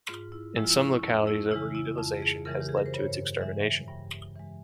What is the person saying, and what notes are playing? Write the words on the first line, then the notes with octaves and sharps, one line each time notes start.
In some localities over-utilisation has led to its extermination.
G#2 F4
E4
F3 G#3 E4
F4
E4
C#4
F2 E4
E4
C#3 E3 G#3 E4
E4
F2 F4
G#4
C#3 E3 G#3 A#4
G4
G#4
A#4
C5
G2 C#5
E3 G#3 E5
G2 G5
E3 G#3